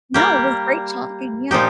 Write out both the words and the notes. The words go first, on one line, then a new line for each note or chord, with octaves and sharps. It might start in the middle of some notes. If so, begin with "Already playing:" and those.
No, it was great talking yeah,
G3 A#3 G4
A#2 F3 D#4 G4